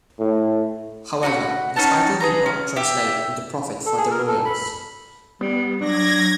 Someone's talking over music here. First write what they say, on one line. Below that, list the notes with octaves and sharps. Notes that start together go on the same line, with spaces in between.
However, the title did not translate into profit for the Royals.
A2
F#4 F#5 G#5 B5
C#4 D#4 F#5 A5
G#4 B4 A#5
C#4
G4 E5
A4
G#4
A#4
A4
B5
G3 B3
F#3 D4 G#6 A#6